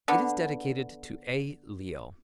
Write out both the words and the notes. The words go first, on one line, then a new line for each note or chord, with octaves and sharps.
It is dedicated to A. Leo.
D3 B3